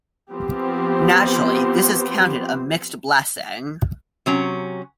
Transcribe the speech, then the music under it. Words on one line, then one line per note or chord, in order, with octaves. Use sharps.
Naturally, this is counted a mixed blessing.
F3 B3 C4 G4 C5
C3 F#3 C#4